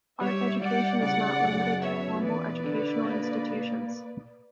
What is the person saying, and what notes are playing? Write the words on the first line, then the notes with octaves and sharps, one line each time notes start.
Art education is not limited to formal educational institutions.
G3 C#5 E5
G3 D5 F#5
C#3 D5 F#5
F#2
B3 C#5 E5
E2 B4 D5
D3
A#3